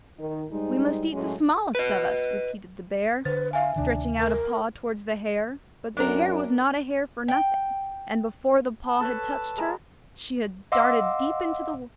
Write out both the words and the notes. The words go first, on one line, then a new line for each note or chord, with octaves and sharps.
'We must eat the smallest of us,' repeated the bear, stretching out a paw towards the hare; but the hare was not a hare for nothing, and before the paw had touched her, she had darted deep into the wood.
D#3
G#2 G3 G#3 D#4
A2 F#3 G#3 C#4
B4 D#5
D3 B4 C5 A6
E5 F5 G#5
D2 C3 D#3 D4
A#4
F#2 D4 A#4
G5
A5
A4 B4 C#5
G#3 A#4 B5
D#5 F5 F#5 C6 D6 E6